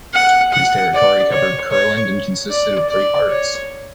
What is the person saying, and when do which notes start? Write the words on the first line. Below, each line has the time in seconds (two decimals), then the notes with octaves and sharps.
His territory covered Kurland and consisted of three parts.
0.14 F#5
0.53 F#5
0.93 D5
1.32 C#5
1.71 C#5
2.50 D5
2.89 D5
3.29 C#5